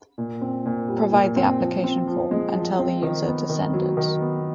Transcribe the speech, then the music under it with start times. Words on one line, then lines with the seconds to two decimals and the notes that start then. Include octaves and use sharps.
Provide the application form, and tell the user to send it.
0.18 A#2
0.41 C4
0.66 A#2
0.88 G3
1.12 A#2
1.36 C4
1.60 F3
1.84 C4
2.07 F3
2.31 G#3
2.55 F3
2.79 C4
3.03 D#3
3.26 B3
3.50 D#3
3.73 F#3
3.97 D#3
4.21 B3